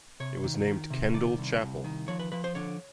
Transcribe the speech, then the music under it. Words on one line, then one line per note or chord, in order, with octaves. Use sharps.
It was named Kendall Chapel.
C3 C#5
D#3
D#3
C3
D#3 D5
C2
C2
D#3
F3 C#5
B4
F3 B4
C5
D3 C#5